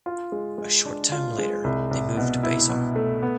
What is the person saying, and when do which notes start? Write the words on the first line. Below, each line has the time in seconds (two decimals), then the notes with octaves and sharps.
A short time later they moved to Basel.
0.06 F4
0.32 G#3
0.58 G#3
0.86 D4
1.12 F4
1.38 G#3
1.64 C2
1.91 C2
2.17 B2
2.43 E4
2.69 B2
2.96 A3
3.22 B3